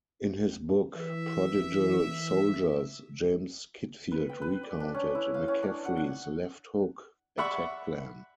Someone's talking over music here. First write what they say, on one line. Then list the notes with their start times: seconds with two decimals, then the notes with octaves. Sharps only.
In his book "Prodigal Soldiers," James Kitfield recounted McCaffrey's "left hook" attack plan.
0.95 E3 E5
4.12 B4
4.29 G5
4.42 B4
4.63 D5
4.80 D4
4.94 C#4
5.15 E4
5.34 F5
5.48 C#4
5.63 D4
5.85 F#5
5.97 F#5
7.38 D5 E5 F#5 B5 C#6